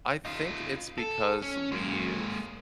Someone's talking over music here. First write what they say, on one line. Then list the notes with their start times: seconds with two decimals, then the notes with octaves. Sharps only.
I think it's because we've
0.25 D#4 F4
0.98 A4
1.42 C#4
1.72 G#3 A#3